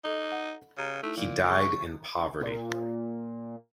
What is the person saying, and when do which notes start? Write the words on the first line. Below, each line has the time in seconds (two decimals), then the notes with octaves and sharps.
He died in poverty.
0.04 D#4 A4 D#5 A#5
0.32 F#5
0.78 C#3 G4 A#5
1.03 A3 D#4 E4
1.17 A#2 C#3 F3
1.49 G#3 G#4 C#6
2.41 A#2